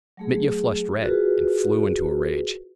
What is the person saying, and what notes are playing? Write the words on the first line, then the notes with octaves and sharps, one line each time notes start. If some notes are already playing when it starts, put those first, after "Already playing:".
Mitya flushed red and flew into a rage.
F#3 A3 G#4
F4 F#4 G#4 A#4 B4